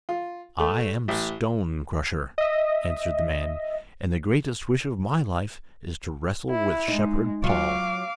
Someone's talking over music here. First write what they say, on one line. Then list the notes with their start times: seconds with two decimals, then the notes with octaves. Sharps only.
'I am Stone Crusher,' answered the man, and the greatest wish of my life is to wrestle with Shepherd Paul.'
0.09 F4
0.60 A3
1.08 A1
2.38 D#5 E5
6.51 E4
6.88 G#3 D#4
7.44 F#3 F4 F5 D6